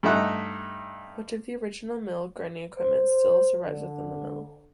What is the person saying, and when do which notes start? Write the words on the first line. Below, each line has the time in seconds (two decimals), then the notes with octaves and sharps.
Much of the original mill grinding equipment still survives within the mill.
0.03 G2 A3 D#4 E5 F#5 F#6
2.77 C5
3.65 D3